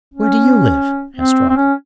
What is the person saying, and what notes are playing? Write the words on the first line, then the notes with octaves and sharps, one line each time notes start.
"Where do you live?" asked Robin.
C#4
C4
C4
C#4